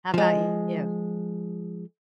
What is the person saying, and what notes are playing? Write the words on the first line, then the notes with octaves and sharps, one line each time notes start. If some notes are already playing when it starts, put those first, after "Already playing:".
How about you?
F3 G#3